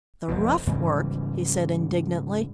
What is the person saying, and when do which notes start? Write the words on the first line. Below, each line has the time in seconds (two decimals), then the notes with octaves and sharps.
"The rough work!" he said indignantly.
0.28 F1 F2 B2
0.67 G#2 C#3 E3 G3